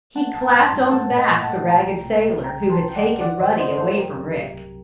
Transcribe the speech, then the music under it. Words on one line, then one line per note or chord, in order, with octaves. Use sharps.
He clapped on the back the ragged sailor who had taken Ruddy away from Rick.
A3 F#5 A5
G2 A5
G5 A#5
G2
A5 C6
G2
A3 F#5 A5
A#2
D#5 G5
A#2
F#5 A5
A3
C2 G5 A#5
C2
C2
C2
C2 G5 A#5
C2
A5 C6
C2
G5
D5 F#5
C2
D#3 D5 F#5
G2 C5 D#5
A3 C5 D#5
G2 A4 C5
F#3 G4 A#4
C2
C3
C2